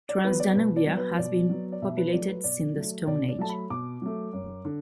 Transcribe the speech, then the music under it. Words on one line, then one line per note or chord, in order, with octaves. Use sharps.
Transdanubia has been populated since the Stone Age.
D5
F#3 B3 B4
D5
B2 B4
D5
F#3 B3
B4
B2 D5
F#3 B3
D5
B2 E5
B4
F#3 A3 D5
B4
B2 D5
F#3 A3
B2 D5
D5
F#3 A3 A5
B5
B2 D6
F#3 A3
F#2
D3